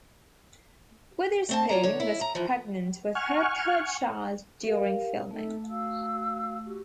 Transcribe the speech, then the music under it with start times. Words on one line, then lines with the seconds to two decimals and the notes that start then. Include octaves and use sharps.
Witherspoon was pregnant with her third child during filming.
1.49 A3 C4 A5
1.69 F4 C#5 D5 A#5
1.83 D3 C#5
2.00 E4
2.21 A#5
2.35 E3 F3
3.15 F#5 G#5 C#6 F6
4.66 G4 A#4 F5
5.31 A3 D#4 A4 E5
5.69 F#4 F5 E6
6.65 F#4 G4